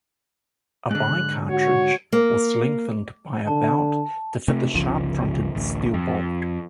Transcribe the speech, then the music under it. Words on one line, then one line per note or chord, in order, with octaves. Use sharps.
A by cartridge was lengthened by about to fit the sharp-fronted steel bolt.
G#2 D3 F#6
F#4 C#5
A#3
D3 A5
C3 A3
G1 C#2 C#3 F3
A1 D2
F2